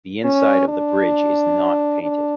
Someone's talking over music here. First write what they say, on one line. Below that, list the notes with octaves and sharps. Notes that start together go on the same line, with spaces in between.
The inside of the bridge is not painted.
C#4
D4
D4